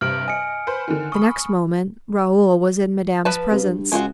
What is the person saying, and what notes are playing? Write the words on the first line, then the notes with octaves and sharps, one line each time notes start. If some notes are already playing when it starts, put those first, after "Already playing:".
The next moment Raoul was in Madame's presence.
G2 C3 F6 D7 F#7
D#5 G#5 C#7
B4 C5
D3 D#3
B5 C#6 D#6
F3 B4 A5
C3
G2
C#2 G#3 F4 F#4